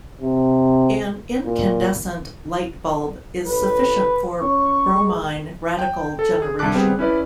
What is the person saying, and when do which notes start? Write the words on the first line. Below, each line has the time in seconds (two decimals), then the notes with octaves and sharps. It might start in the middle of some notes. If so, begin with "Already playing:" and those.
An incandescent light bulb is sufficient for bromine radical generation.
0.21 C3
1.45 A#2
3.46 A1 B4
4.42 C#4 C#6
4.95 G#3
5.79 G5
6.19 A4
6.42 G#4
6.59 C2 D4 A5 D6 F#6
6.74 G3 B3 C4 G#4
6.99 C#4 E4 B4 D5